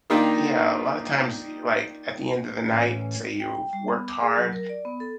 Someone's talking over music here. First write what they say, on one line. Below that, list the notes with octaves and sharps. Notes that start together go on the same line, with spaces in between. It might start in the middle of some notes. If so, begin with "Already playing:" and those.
yeah, a lotta times, like, at the end of the night, say you've worked hard,
D#3 A#3 D4 D#4 F4 G4
A2 E3 C#4
G5
G5
G3
B3
D6
G#4
F#3
A#4
D5
B3
A4